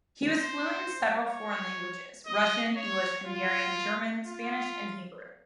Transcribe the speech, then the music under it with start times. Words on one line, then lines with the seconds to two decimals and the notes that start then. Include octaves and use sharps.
He was fluent in several foreign languages: Russian, English, Hungarian, German, Spanish and Hebrew.
0.29 C5
1.28 C#5
2.26 D#5
2.76 C#5
3.26 F4
4.25 F4